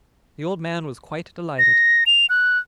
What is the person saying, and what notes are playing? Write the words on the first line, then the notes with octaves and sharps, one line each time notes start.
The old man was quite delighted.
A#6
F7
F#6